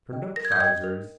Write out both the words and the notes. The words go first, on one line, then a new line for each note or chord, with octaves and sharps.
Turnedup trousers.
D#5 G5
A#4 A#6
G#6
G6
D#5 G5 G#6
A#4